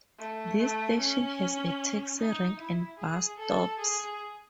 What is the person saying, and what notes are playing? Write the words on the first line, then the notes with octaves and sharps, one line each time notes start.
This station has a taxi rank and bus stops.
A3
A3
C#4
D#4
E4
G#4
A4
G#4